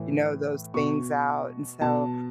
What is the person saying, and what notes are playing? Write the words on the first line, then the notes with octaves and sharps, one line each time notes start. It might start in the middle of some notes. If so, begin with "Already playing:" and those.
you know, those things out, and so,
Already playing: A2 E3
B2 C#6
B2 A5